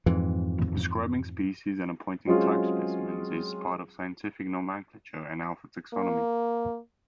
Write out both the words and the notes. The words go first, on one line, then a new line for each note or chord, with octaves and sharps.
Describing species and appointing type specimens is part of scientific nomenclature and alpha taxonomy.
F2 G#2 E3
F#3 G#3 C4 C#4 F4 G#4
A#3